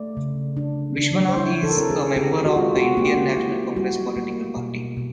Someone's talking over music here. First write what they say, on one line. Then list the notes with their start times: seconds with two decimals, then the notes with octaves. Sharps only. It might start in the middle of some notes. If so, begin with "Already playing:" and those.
Vishwanath is a member of the Indian National Congress political party.
Already playing: A3 D5
0.17 C#3
0.57 D4
0.97 D4
1.29 C5
1.37 E4 C#5
1.63 A4
1.71 A#4
1.77 C4 A4
1.90 G#4
2.16 C4 G4
2.46 F#4
2.56 G#3 F4
2.76 F#4
2.97 A#3 G4
3.05 F#4
3.15 G4
3.37 E4
3.76 G3 F#4
4.16 A#3
4.57 B2
4.97 B2